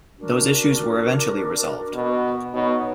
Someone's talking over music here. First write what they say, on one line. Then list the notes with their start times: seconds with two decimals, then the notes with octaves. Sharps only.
Those issues were eventually resolved.
0.17 D4 F#4 A#4
1.95 B2
2.53 B2 D#4 F#4 A4 C#5